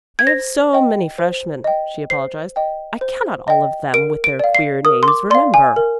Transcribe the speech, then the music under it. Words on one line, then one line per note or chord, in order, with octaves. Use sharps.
"I have so many freshmen," she apologized, "I cannot all of them with their queer names remember."
G#6
C5 A#6
D#5 G5
C5
D#5 G5
C5 C7
D#5 G5
C5
D#5 G5
A#4 D7
D7
D5 F5
C7
A#4 D#6
C6
D6
D5 F5 C6
G#5
A#4